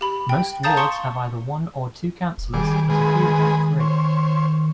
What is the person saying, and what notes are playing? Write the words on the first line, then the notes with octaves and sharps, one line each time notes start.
Most wards have either one or two councilors, but a few have three.
G4 B5
G5
F5 A5 A#5 D#6 G6 A6
C6 C#6 C#7
E1
D#3 G3 G#4 D6
G#3 G#4 B4
C5 C#5